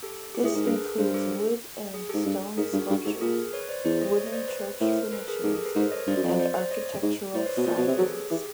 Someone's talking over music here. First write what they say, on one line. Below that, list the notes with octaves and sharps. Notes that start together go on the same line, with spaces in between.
This includes wood and stone sculptures, wooden church furnishings and architectural fragments.
G4 A4
G4
A2 G#4
G#2 G#4 A#4
G2 A4 B4
G2 A#4 C5
G4 A4
G#4
G#2 G4 A4
G2
G#2 G#4 A#4
G2 F#4
G2 F#4
G#2 G4 A4
A#2 G#4 A#4
B4 C#5
C5 D5
E2 C5 D5
C#5 D#5
C#5 D#5
D#5
C5 D5
B4 C#5
A2 A#4 C5
A4 B4
G#4 A#4
G#2 G4 A4
G#4 A#4
A4 B4
G#2 A#4 C5
C#5 D#5
G2 C5 D5
F#2
F2
C5 D5
C5 D5
C#5 D#5
G#2
A2 C5 D5
B4 C#5
B2 C#5 D#5
A#2 C5 D5
B2 B4 C#5
C3 B4 C#5
G#4
F#3 G4 A4
G#4
E3 G4